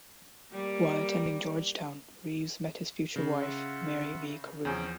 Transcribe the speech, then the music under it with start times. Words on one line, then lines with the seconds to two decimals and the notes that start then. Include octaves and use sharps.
While attending Georgetown, Reeves met his future wife, Mary V. Corroon.
0.52 G3 A#3
3.16 C#3
3.41 F4 E5 F#5
4.65 E2 F3 C#4 G#4 G5